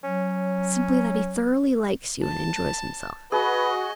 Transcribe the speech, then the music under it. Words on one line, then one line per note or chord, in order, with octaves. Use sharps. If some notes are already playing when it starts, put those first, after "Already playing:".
Simply that he thoroughly likes you and enjoys himself.
F#3 C#4
A5
F#4 G#4 B4 D#5